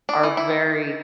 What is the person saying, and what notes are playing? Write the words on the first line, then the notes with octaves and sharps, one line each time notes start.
are very,
D4
E3
E4